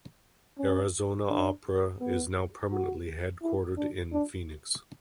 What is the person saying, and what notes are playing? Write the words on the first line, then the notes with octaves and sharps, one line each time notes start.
Arizona Opera is now permanently headquartered in Phoenix.
C#4
D4
B3
F#4
E4
D4
D4